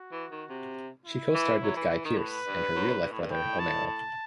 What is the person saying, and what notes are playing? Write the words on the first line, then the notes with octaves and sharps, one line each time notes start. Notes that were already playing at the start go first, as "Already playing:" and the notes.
She co-starred with Guy Pearce and her real-life brother, Omero.
Already playing: F#4
E3
D#3
C3
E4
E3
F#3
E3
E3
D#3
A2 B4
G2
F#2
G2
A2
G2
A2 G5
A5
A5